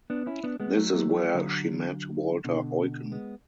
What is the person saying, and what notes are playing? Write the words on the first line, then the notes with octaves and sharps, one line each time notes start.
This is where she met Walter Eucken.
B3 D4
C#4 E4
B3 D4
G#3 B3
F#3 A3
F#3 A3
F#3
G#3
D3 F#3
B2 D3
G#3 B3